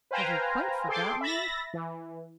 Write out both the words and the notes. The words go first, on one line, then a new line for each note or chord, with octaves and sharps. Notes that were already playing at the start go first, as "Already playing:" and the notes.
Have you quite forgotten me?
B4 C5 F5 G5 G#5 A#5
G#4 A4 G5 C6 D6
E5 B5 A6 A#6
E3